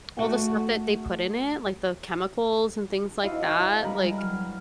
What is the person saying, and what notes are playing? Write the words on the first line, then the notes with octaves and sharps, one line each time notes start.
all the stuff that they put in it, like the chemicals and things like that, like,
A3 F#4
D4 E4 F#4 C5 D#5 F5
G3 G#3 B4 A#5
F#3 F6